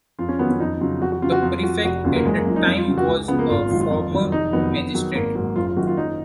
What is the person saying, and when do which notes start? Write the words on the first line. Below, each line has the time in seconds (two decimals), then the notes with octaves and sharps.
The Prefect at the time was a former magistrate.
0.19 F2 F4
0.29 C#4
0.39 D#3 F#3 B3
0.50 C#4
0.60 F2 D#4
0.80 C#3 F#3 F4
1.01 F2 F#4
1.12 F#4
1.22 C#3 F#3 F4
1.32 F#4
1.42 F2 F4
1.63 F3 F#4
1.84 F1 F#4
2.04 D#2 C#3 F#3 F4
2.15 A#3
2.25 F#1 G#3
2.36 A#3
2.46 F#2 F3
2.56 D#4
2.66 F2
2.77 F4
2.87 C#3 F#3
2.98 F#4
3.08 C#2
3.28 C#3 F3 B3
3.39 A#3
3.50 G#1 F4
3.70 G#2 D#3 F#3 F4
3.81 F4
3.90 F2
4.11 D#3 F#3
4.32 F1 D#4
4.53 F2 D#3 F#3 B3
4.74 F2
4.94 D#3 F#3
5.15 G#1 A#3
5.35 G#2 F#3 A#3
5.56 F#1 F4
5.67 F4
5.77 F#2 D#3 F#4
5.87 F4
5.97 F#1 D#4